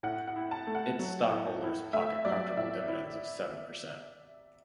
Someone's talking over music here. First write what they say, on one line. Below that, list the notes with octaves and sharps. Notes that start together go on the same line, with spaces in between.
Its stockholders pocket comfortable dividends of seven per cent.
A2 F#5
F#5
E4
A5
A3
F#5
F#3
A2
E4
A3 E5
F#3 D5
A2 E5
E4